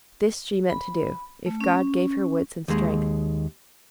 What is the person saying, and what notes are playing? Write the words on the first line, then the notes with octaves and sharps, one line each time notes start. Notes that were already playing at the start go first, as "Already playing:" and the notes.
This she meant to do, if God gave her wits and strength.
B5
A3
C#4
D#2 G#3